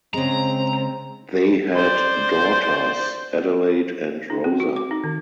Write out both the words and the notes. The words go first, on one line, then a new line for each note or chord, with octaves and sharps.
They had daughters Adelaide and Rosa.
C#3 G#3 C4 A#5
C5 D5
D#4
C4
F#4
D6
D#4
D#3